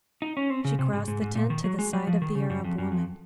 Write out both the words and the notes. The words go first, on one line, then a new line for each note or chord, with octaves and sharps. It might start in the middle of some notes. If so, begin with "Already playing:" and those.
She crossed the tent to the side of the Arab woman.
D#4
C#4
C4
C#3
C3
G#2
G#2
G#2
A#2
D#3
F#3
G#3
F#3
F3
D#3
C#3
F#2
F2
F#2
F2